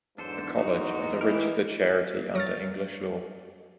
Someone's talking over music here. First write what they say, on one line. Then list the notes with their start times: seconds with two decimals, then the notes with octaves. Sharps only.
The college is a registered charity under English law.
0.18 E2 G#2 F#3 D4 A4 C5
0.58 D#4 F#4
1.21 E3 D#4 E4 G4 A#4
2.35 F#3 F6 A6